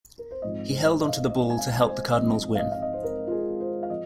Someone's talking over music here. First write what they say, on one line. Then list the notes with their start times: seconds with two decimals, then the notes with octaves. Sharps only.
He held on to the ball to help the Cardinals win.
0.18 A#4
0.31 C5
0.42 G#1 G#2 F3 D#5
0.71 C5
1.01 D#5
1.08 F5
1.16 D#5
1.30 D#5
1.50 G#5
1.58 F5
1.87 C5
2.16 G#1 G#2 F3 D#5
2.55 F5
2.59 D#5
2.72 F5
2.82 D#5
2.93 C5
3.03 A#4
3.27 F4
3.31 G#4
3.60 C5
3.83 F5
3.90 F3 D#5